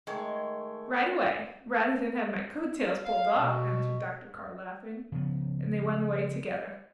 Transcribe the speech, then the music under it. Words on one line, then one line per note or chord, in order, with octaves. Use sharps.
"Right away--rather than have my coat-tails pulled off," answered Dr. Carr, laughing, and they went away together.
D#3 G#3 A3 C#5
F5
B2
C#3 F3 B3